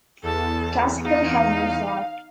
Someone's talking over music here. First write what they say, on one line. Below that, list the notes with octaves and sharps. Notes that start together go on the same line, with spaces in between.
Classical had Mozart.
E2 A4 A5
D#4 F5